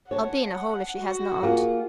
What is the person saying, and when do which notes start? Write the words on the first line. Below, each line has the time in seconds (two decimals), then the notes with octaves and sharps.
I'll be in a hole if she has not.
0.11 C#5 F#5 A5
0.97 F#4
1.42 A#3 F4 G#4